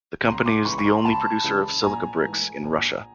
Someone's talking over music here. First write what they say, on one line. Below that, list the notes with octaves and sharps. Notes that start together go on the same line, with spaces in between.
The company is the only producer of silica bricks in Russia.
C#2 A#5 C6
C6 D6
C#3 E3 G#3 B5 C#6
C#6
A#5 C6
C#2 A5 B5
C#3 E3 G#3
A#1 G#5 A#5
G#2 E3 A3
A#1